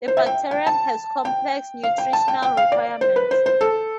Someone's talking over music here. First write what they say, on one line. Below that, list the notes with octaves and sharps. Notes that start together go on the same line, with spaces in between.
The bacterium has complex nutritional requirements.
C5
E5
G5
G5
A5
G5
F5
G5
A5
G5
G5
F5
D5
C5
B4
C5
C5
A4